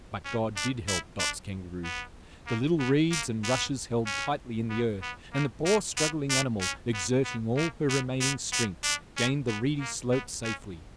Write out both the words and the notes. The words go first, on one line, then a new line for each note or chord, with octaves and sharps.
But God did help Dot's Kangaroo; the little reeds and rushes held tightly in the earth, and the poor struggling animal, exerting all her remaining strength, gained the reedy slope safely.
C#4
D4
E4
D4
B3
A#3
B3
A#3
B3
C#4
B3
B3
A#3
A#3
B3
D4
C#4
B3
B3
A#3
B3
B3
B3
D4
C#4
B3
A#3
B3
C#4